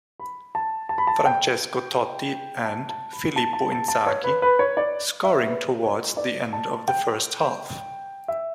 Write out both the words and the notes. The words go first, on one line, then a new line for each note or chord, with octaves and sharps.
Francesco Totti and Filippo Inzaghi scoring towards the end of the first half.
B5
A5
A5
B5
A5
G5
A5
A5
B5
A5
A5
A5
A5
C#5
B4
B4
C#5
D5
E5
B4
C#5
D5
A5
G5
E5